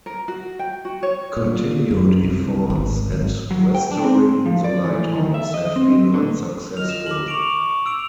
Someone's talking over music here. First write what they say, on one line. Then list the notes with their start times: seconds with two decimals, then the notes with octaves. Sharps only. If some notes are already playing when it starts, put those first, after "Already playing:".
Continued efforts at restoring the lighthouse have been unsuccessful.
0.06 A#4
0.28 F#4
0.59 G5
0.85 F#4
1.03 C#5
1.37 A#2
1.91 F#2
2.23 C2
2.70 G#1
3.12 G#1
3.51 F#3
3.75 G5
3.91 D4
4.04 C4
4.46 F3
4.64 D5
4.84 E3
5.15 D#3
5.34 E5
5.54 D#5
5.76 C4
6.14 D3
6.77 F4 D#5 F6 F7
6.89 E7
7.06 D6 F#7
7.28 C#6 D6 D7 F7
7.86 E6 D7 F7